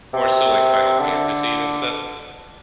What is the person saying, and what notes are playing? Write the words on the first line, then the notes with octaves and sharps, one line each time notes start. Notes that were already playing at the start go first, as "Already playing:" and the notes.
more, so, like, Final Fantasies and stuff.
C3
D3